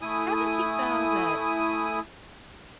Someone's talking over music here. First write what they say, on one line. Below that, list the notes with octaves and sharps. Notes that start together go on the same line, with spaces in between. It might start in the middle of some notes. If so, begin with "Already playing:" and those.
haven't you found that,
A3 E4 G#5 D#6